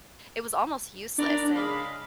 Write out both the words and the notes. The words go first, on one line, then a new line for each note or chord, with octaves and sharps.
it was almost useless and
B3 D4 A#4 D5
C#3 G#3 F5 B5